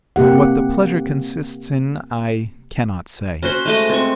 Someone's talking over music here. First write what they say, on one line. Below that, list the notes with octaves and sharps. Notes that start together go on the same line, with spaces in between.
What the pleasure consists in I cannot say.
C3 A#3 G4 F#5
C#4 F#4 C5
G#3 A3 D#5
C4 C#6